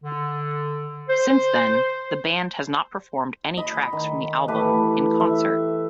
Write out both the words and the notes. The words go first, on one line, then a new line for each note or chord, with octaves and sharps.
Since then, the band has not performed any tracks from the album in concert.
D3
C5
D#5 B5
D#3
E3 A3 G4 B4
E5